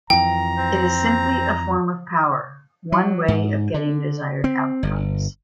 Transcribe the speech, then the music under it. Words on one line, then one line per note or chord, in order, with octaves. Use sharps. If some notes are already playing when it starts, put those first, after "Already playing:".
It is simply a form of power, one way of getting desired outcomes.
F2 E3 G5 A#5
C4 C5
F#3
G#2
D3
C4
G1